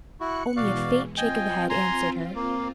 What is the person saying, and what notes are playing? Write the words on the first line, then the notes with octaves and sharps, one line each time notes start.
Only a faint shake of the head answered her.
E4 F#4 F#6 C#7
B2 E3 G#3 F#4 D5 F5
C4 F4 D#5 G5 G#5
G#5 A#5 C6
A#3